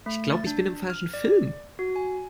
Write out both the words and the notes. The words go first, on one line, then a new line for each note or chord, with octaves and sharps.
Ich glaube, ich bin im falschen Film.
A3
A6
D4
F6
D5
F#4
G#5